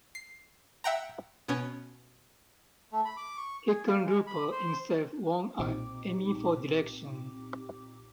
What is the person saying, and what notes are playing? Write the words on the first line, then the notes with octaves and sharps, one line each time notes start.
Hickenlooper himself won an Emmy for direction.
C7
E5 F#5 G5 A#5
B2 B3 C#4
A3
B5
D6
C#6
G#4
F5
G#3
B5
C5
B1 A#2 C4 D#4 G4 D6